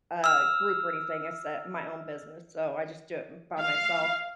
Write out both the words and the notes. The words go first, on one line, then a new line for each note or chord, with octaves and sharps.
uh, group or anything, it's, uh, my own business, so I just do it m by myself,
E6 F6
F5